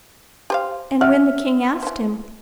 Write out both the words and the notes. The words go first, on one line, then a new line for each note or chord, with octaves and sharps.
And when the king asked him.
G4 C5 F5
E5 F#5 F6
E3 C5